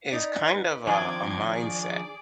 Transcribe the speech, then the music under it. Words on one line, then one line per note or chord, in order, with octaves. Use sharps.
is kind of, uh, a mindset.
D#4 B4 D5
D#3 F3 C4 D4 G#5 D6 G#6
G#4 D5